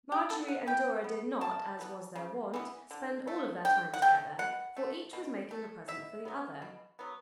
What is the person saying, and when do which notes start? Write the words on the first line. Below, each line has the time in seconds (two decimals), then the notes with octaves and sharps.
Marjorie and Dora did not, as was their wont, spend all of their time together, for each was making a present for the other.
0.12 G4
0.30 B3 A4
0.48 F#5
0.67 E3 G5
1.04 B3
1.41 C#3 A5
1.79 E3 B3
2.16 C#3
2.54 E3 B3
2.91 D3
3.27 A3
3.65 D3 G5
3.94 F#5
4.02 A3 G5
4.39 B2 F#5
4.77 A3
5.13 B2
5.51 A3
5.88 B2 E5
6.25 F#3 B3
6.62 B2
6.99 F#3 B3